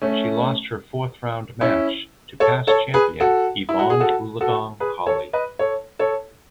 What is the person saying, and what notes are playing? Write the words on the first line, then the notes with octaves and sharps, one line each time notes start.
She lost her fourth round match to past champion Evonne Goolagong Cawley.
A3 C#4
C#4 E4
A4 C#5
A4 C#5
G#4 B4
F#4 A4
E4
F#4
G#4
F#4 A4
F#4 A4
G#4 B4
A4 C#5
B4 D#5
A4 C#5
A4 C#5